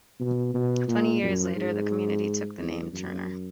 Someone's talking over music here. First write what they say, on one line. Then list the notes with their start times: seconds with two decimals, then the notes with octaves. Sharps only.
Twenty years later, the community took the name "Turner".
0.20 B2
0.54 B2
0.88 A#2
1.22 F#2
1.56 G#2
2.58 E2
2.92 F#2